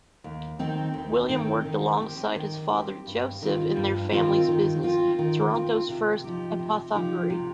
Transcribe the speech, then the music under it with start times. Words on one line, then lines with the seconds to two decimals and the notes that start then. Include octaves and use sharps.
William worked alongside his father Joseph in their family's business - Toronto's first apothecary.
0.24 D#2
0.59 D#3 C4 D#4
0.94 D#2
1.29 D#3 C4 D#4
1.65 D#3
2.00 C4 G4
2.36 D#3
2.71 C4 G4
3.07 G2
3.42 D#3 C4 F4
3.77 G2
4.12 D#3 C4 F4
4.48 D#3
4.83 C4 F4
5.19 D#3
5.54 C4 F4
5.89 C3
6.24 F3 D#4 G4
6.59 C3
6.95 F3 D#4 G4
7.30 C3